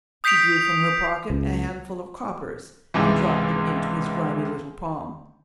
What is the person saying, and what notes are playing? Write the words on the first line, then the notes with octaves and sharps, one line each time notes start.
She drew from her pocket a handful of coppers and dropped them into his grimy little palm.
D#6 G6 B6 C7 D7 F7
C#2
C#2 G#2 C3 E3